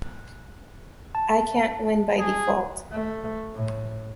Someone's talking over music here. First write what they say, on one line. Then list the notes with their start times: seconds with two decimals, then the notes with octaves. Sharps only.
I can't win by default.
1.15 A5
2.20 G#4
2.92 A3
3.55 A2